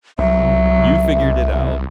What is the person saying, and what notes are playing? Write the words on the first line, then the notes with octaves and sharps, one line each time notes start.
you figured it out,
C2 F#3 E5